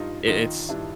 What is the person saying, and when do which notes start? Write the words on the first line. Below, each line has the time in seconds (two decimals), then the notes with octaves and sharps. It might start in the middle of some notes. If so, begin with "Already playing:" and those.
i it's
Already playing: G2 D#4 F4
0.27 D#3 D#4 F4
0.69 G2 D4 E4